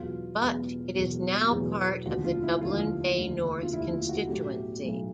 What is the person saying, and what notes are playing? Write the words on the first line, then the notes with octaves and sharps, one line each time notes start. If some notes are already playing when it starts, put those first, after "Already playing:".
But it is now part of the Dublin Bay North constituency.
Already playing: E1 E2 B2 F#3 F4
E1 E2 B2 F#3
E1 E2 B2 F#3
E1 E2 B2 F#3
F1 D#2 D3 F3 F#4
F4
E4
F1 D#2 D3 F3 F4
F1 D#2 D3 F3
F4
F1 D#2 D3 F3 E4
F4
F#4
B1 A2 F#3 A3 G4
B1 A2 F#3 A3